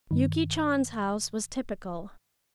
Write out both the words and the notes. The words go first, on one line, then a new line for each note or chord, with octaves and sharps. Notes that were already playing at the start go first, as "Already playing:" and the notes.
Yuki Chan's house was typical.
G2 D#3